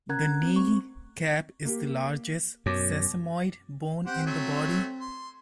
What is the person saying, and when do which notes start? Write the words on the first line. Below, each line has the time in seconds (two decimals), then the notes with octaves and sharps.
The kneecap is the largest sesamoid bone in the body.
0.09 C#4 A#4 F#5 A#5 F#6 G#6
0.43 C4
0.56 A3 C#6
1.65 A#3 G4
2.66 F#2 B2 C#5 D6
4.06 C4 G4 C5 F#5
4.26 F#3 A3
5.01 C6